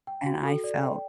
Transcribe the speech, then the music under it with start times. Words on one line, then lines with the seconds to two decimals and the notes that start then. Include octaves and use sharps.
and I felt
0.07 G5
0.26 F#4
0.45 A4
0.64 D5
0.82 G5